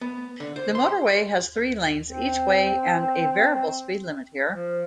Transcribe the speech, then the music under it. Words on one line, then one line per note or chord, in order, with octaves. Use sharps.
The motorway has three lanes each way and a variable speed limit here.
B3
D3
C5
C6
C4
F3